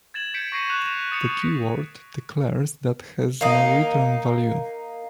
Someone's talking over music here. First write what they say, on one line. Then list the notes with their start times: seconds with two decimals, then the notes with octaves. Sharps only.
The keyword declares that has no return value.
0.14 G#6 A6 E7 F#7
0.34 G6 B6 C#7 D7
0.52 C#6 A#6 C7 D#7
0.70 F#6 E7 F7
1.12 D#6 A6 C#7 F7
3.41 A#3 D#4